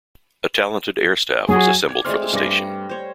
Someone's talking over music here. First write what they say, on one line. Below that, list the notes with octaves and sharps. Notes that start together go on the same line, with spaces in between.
A talented air staff was assembled for the station.
F#3 F#4 G#4
D4 G#6
G#3 A3 C4 D5 C6 F6
G2 G3 D4 D6 A#6
D4
C5 C#5